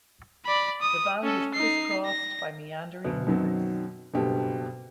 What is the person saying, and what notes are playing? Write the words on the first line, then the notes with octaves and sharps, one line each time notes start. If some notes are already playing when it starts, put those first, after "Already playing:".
The valley is criss-crossed by meandering rivers.
D5 B5
D#6
C#4 A4
D#4 C7
A#6
D2 B2
F#2 B2 D#3 F#3 C4
F#1 G2 B2 G4 A4